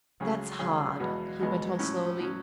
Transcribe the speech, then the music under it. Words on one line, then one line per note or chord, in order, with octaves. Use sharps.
'That's hard,' he went on, slowly.
C#2 C#3 F#3 C#4 G#4
C#2 C#3 F#3 C#4 G#4
E2 B2 G#3 B3
E2 B2 G#3 B3
A2 F#3 C#4
A2 F#3 C#4